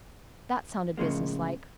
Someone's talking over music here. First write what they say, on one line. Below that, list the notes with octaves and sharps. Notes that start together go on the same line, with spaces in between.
That sounded business-like.
A2 C#3 F3 G#3 A#3